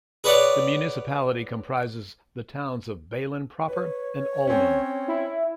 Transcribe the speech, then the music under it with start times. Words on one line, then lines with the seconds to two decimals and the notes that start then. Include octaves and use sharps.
The municipality comprises the towns of Balen proper and Olmen.
0.24 G#4 B4 C#5 D5 F#5
3.68 B4 C#5
4.47 C4 C#4
5.08 E4